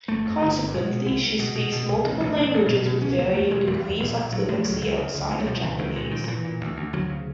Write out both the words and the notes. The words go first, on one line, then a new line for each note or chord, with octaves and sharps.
Consequently, she speaks multiple languages with varying degrees of fluency outside of Japanese.
G1 A3
F2
G1
G1
B2 G#3
B2
C2
C2
B2
B2
B2
C2
A1
A1
A1 D4
A1
B2
B2
C#2 C#4
C#2 A#3
E2 A3
E1 G#3
E1 G3
E2
A#1
A#1
A2 F#3
A2 F3
C#2 F#3
C#2
C#3
C#2
C#2 G#3
A3
B2 G3
F3
C#2 E3
C#2 D#3
A#2 D3
A#2 D#3
F3
A#2 E3
A#2
D2
D2
D2 F#3
C#3